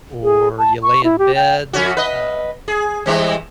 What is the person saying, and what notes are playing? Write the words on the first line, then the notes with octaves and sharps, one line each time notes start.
or you lay in bed, uh,
G#4
A5
C#6
E4
G4
G5
F2 C#4 F#4
B4 D#5
G#4
E3 G3 C4